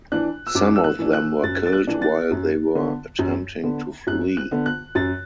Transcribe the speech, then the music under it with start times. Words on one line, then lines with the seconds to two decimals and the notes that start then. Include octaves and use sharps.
Some of them were killed while they were attempting to flee.
0.12 E3 D4 F#6
0.47 E6
0.55 F#2 D6
0.76 E6
0.84 F#6
0.99 E3 D4
1.13 F#6
1.43 F#2 A6
1.66 A6
1.73 F#6
1.87 E3 D4
2.02 A6
2.31 F#2
2.75 D3 B3
3.19 F#2
3.64 D3 B3
4.07 F#2 F#6
4.37 F#6
4.51 D3 B3
4.66 F#6
4.95 F#2 A6